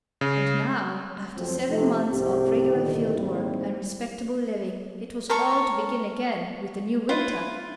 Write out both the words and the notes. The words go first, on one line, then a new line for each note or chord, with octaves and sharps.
And now, after seven months of regular field-work and respectable living, it was all to begin again with the new winter!
C#3
F2 F3 F#3 C4
C3 F3 A3
C2 G#2 C3 G4
C2 A#2 D3 D#3
D#2 G#2 G3 C4 E4
A#4 C#5 A5 C#6
E4 F4 B4